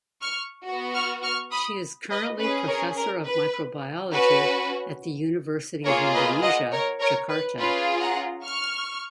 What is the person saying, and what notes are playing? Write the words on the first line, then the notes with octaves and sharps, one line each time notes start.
She is currently professor of microbiology at the University of Indonesia, Jakarta.
C#6 F6
F#4
B3
C#6 F6
C#6 F6
B5 D#6
B4 D#5
C#4 G#4 B4
A#4 C#5
A#4
B4
C#4 F#4 B4
A#3 F4 G#4 A#4 C#5
B4 D#5
D#5 F#5
A#4 C#5
A#4 C#5
B4
C#4 F4 G#4 B4
F#5 A#5
C#6 F6